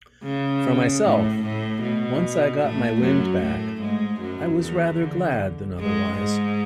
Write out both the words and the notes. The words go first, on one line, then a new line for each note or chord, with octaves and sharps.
For myself, once I got my wind back, I was rather glad than otherwise.
C#3
A2
A2
B2
A2 A3
F#2 F#3
A2 A3
G#2 G#3
F#2 F#3
E2 E3
D3
G#2 G#3
G#2 G#3